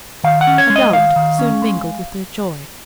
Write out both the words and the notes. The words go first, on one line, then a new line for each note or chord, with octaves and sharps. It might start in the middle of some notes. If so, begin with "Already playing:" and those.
A doubt soon mingled with their joy.
D#3 F5
F#5
C#4
C#5
G#3
D#5
D#3 F5
D#3
C#4
G#3